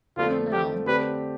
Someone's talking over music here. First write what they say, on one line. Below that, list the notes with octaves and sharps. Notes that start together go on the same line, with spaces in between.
I don't know.
F2 D3 F3 A3 F4
G4
D3 A3 C4 G4 B4